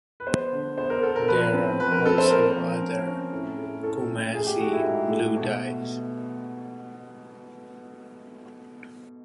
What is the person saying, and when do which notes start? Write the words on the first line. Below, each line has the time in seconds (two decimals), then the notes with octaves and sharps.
There are also other Coomassie "blue" dyes.
0.20 B4
0.27 B3 C5
0.52 D3
0.77 B3 C5
0.90 A#4
1.02 B3 A4
1.16 A#4
1.28 F3 B4
1.54 C4
1.79 F3 B4
1.92 A#4
2.05 C4 A4
2.18 C5
2.30 A#3 A#4
2.56 F3
2.81 C#4
3.07 C#4
3.32 A2
3.58 A3
3.83 A2 A4
4.08 A2
4.34 A3 G#4
4.47 G4
4.60 A3 F#4
4.73 E4
4.84 G#2
5.11 A3
5.36 B2